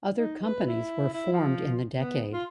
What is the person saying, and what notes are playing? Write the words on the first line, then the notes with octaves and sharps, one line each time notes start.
Other companies were formed in the decade.
D#4
B4
E4
E4
F3
B3
F4